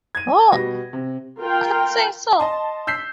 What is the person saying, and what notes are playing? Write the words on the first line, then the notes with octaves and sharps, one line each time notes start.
Whoa. I'd say so.
G#6 D#7
B2 G3 A#6
C3
F4 A#4 G5
D#5 A5 C6
E6 G6 B6 C7